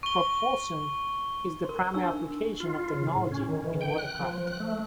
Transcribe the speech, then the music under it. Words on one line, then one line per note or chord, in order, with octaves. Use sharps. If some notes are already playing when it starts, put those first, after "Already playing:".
Propulsion is the primary application of technology in watercraft.
C#6 G7
A#4 C6
D4 D#4 G#5 C#6 E6
F4
C#3
A2
C#4
D#3
E3
G5
F#6
F3
F#6
A3